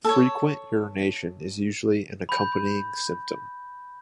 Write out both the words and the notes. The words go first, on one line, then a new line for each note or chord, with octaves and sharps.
Frequent urination is usually an accompanying symptom.
A4 C#5
B5 G6